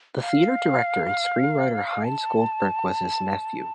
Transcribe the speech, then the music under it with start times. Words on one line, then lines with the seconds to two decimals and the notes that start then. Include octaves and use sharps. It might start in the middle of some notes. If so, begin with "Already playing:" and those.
The theatre director and screenwriter Heinz Goldberg was his nephew.
0.22 F5
2.04 A5